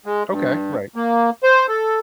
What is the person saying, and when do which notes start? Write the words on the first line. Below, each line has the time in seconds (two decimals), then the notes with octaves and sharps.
Okay, right.
0.06 G#3
0.30 G2
0.96 A#3
1.43 C5
1.68 A4